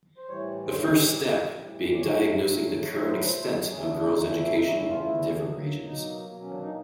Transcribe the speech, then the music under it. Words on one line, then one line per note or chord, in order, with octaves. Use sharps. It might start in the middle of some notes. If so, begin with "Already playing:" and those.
The first step being diagnosing the current extent of girls' education in different regions.
C5
A2 E3 G3 C#5
C5
A2 E3 G3 C#5
D#5
D5
A2 E3 G3
A2 E3 G3
D5
A#2 F#3 A3 C#5
A#2 F#3 A3
A#2 F#3 A3 C#5
C5
B4
C5
A#2 F#3 A3
E2 C#3 E3 A3 G#4
D4
D4
E2 C#3 E3 A3 D#4
E4
E4
E2 C#3 E3 A3 D#4
E4
F4
E2 C#3 E3 A3 E4
B2 F#3 A#3
B2 F#3 A#3 D#4
B2 F#3 A#3
C#4
D4
D#4